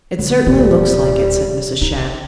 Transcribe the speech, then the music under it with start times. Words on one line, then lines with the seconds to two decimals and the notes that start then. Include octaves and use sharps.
"It certainly looks like it," said Mrs. Shadd.
0.19 D3
0.47 D#1 G3 F4
1.81 D#4